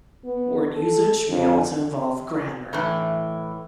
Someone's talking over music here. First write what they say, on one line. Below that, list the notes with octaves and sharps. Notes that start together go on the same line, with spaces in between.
Word usage may also involve grammar.
B3
A4
F2
A2 E3